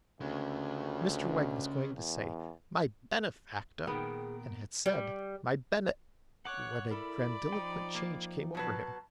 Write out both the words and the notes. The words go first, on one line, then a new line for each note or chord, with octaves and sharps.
Mr Wegg was going to say, My Benefactor, and had said My Bene, when a grandiloquent change came over him.
D2 C#3 G#3
E2
A#2 D#3 B3 G#4 A#4 G5
G3
C#5 F#5 D6 F#6
E4 A4 A#4 D5 B5
F3 D#4 G5
A#3
B2 F#3 B4 A5